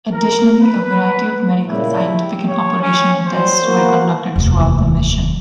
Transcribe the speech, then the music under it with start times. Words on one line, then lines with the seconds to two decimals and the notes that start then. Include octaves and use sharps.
Additionally, a variety of medical, scientific and operational tests were conducted throughout the mission.
0.12 A#4
0.62 B4
1.66 A#2 C#3 E4
2.04 G4
2.48 C#5
2.82 C#4
3.27 F#3 G3 C5
3.62 A#3 B3 F#4
4.36 F1 D#2